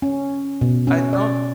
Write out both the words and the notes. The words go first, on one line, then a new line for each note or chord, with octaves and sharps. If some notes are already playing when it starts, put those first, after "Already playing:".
I don't
C#4
B2
C#4
D5